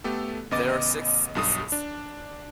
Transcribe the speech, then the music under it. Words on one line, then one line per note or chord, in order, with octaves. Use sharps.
There are six species.
A3 B3 G4 A4
A1 C#3 B3 D#5 D6 A6
B1 G2 D#6
D4